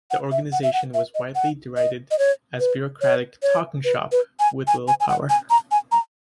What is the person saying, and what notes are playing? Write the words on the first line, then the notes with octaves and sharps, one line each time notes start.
The organisation was widely derided as a bureaucratic "talking shop" with little power.
F#5
E5
F#5
E5
F#5
E5
D#5
F#5
D#5
D#5
C#5
B4
C#5
C#5
B4
B4
G#5
G#5
G#5
G#5
F#5
G#5
A#5
G#5
A#5